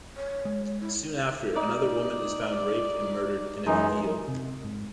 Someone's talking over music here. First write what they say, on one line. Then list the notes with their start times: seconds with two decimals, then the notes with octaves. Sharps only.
Soon after, another woman is found raped and murdered in a field.
0.17 C#5
0.45 G#3
0.81 E4
1.56 D#4 D5
3.66 F#2 E3 G#3 D#4
4.28 C3
4.64 G#2